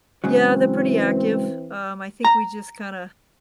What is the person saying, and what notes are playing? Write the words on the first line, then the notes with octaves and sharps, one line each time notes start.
Yeah, they're pretty active. Um, I think, we just kinda
G#2 C#3 E3 F#3 C4
A#5